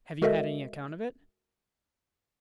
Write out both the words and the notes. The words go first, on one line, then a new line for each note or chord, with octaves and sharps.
"Have you had any account of it?"
G#3 F#4 A4 A#4 D#5 E5